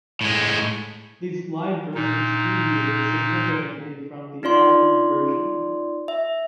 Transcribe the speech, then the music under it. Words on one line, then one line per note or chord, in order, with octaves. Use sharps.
These live versions deviated significantly from the album version.
A2 G#3
A#2 D#4
D#4 F4 D5 C6
E5